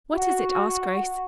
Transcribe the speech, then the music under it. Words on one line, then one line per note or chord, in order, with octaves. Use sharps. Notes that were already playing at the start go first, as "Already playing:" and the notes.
"What is it?" asked Grace.
F#4